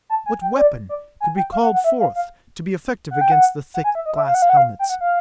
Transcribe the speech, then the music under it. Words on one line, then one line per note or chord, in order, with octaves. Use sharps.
What weapon could be called forth to be effective against the thick glass helmets?
A5
G#5
G5
D5
D5
G#5
G5
F5
F#5
F#5
E5
F5
F5
F#5
G5
F#5
F#5
G#5
E5
D#5
E5
F5
F#5
F5
F#5
F5
G5
F#5
F5